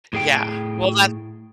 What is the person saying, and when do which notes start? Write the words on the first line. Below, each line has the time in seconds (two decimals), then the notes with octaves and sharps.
Yeah, well, that's
0.13 A2 G#4 G5